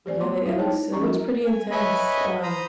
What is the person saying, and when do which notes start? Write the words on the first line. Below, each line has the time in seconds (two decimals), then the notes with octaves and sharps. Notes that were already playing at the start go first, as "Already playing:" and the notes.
Yeah, th it looks it looks pretty intense. Um,
0.06 G4 C5 D5 G#5
0.20 A3 B3 F4 C6 D6
0.45 E4 F4 C#5 E5 F5
0.59 D#4 C5 C#5 G5 A5
0.92 F3 C#4 D#5 A#5 C#6 D6
1.05 F#3 G3 E4 F#4 A#4 A#5
1.45 G#5
1.71 B4 C#5 D#5 E5 G#5 B5
2.43 C5 A#5 B5 D#6